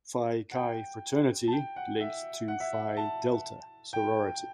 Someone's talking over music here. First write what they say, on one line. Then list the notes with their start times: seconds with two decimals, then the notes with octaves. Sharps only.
Phi Chi fraternity linked to Phi Delta sorority.
0.51 F#5
0.56 G5
1.47 A5
1.53 G5
1.76 F#5
2.00 E5
2.48 F#5
2.60 E5
2.73 F#5
2.97 A5
3.93 G5